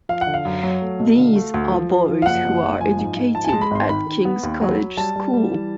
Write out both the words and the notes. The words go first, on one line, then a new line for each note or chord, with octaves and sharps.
These are boys who are educated at King's College School.
F3 F5
F#5
D3
F5
F#2
F#3
A3
B1
D3
A3
D2
F3
F3
F3
F5
F#1 F#5
F#1
F#1
F3 G#5
G#2
G#2
F3 A5
G#5
G#3 A5
B5
G#1 C6
D#3 B5
D#3
B3
D#2
F#3
F#3
G3 A5
G3
G3
E3